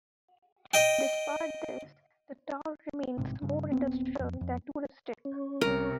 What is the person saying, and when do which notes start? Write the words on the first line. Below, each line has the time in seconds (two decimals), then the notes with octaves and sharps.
Despite this, the town remains more industrial than touristic.
0.74 D#5 G5
3.18 A1 G#2 C3
3.42 G2 C#3
3.72 D#1 B3 C4
4.20 F2
4.41 F2
5.25 C#4
5.61 C2 C3 G3 A#4